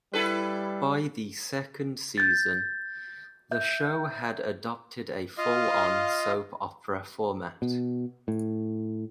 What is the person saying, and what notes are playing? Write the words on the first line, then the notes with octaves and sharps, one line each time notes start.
By the second season, the show had adopted a full-on soap opera format.
G3 E4 A4 B4
G6 A6
E5 G6
F4 D#5 F5
B2
A2